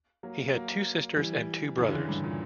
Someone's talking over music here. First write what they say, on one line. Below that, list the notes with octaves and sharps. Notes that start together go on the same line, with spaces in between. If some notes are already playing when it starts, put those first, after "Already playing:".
He had two sisters and two brothers.
F#3 A#3
F#3 A#3
E3 G3
C#3 E3
D3
C#3 E3
G2
A#2